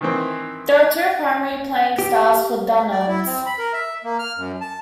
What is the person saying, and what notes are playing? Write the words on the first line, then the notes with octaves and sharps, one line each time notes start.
There are two primary playing styles for dununs.
D#3 E3 C4
G4
D5
E4
C4
B5
A#4
E5
A#3
F6
F#2
A5